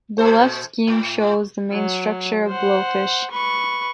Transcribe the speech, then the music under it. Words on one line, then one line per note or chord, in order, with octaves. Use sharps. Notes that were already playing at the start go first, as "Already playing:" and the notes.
The left scheme show the main structure of Blowfish.
A#2 A4 C5
A2
F#3
C5 F#5
B4 C#6